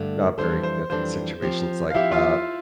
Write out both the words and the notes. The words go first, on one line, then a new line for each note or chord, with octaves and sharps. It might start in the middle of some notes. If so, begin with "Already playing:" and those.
not very good at situations like that
Already playing: G2 D3 A3
F2 E3 G3 D4 A4 C5
C5
F2 E3 G3 D4 A4 C5
F3 C4 G4
F5
F3 C4 E4 G4 E5
F4 F5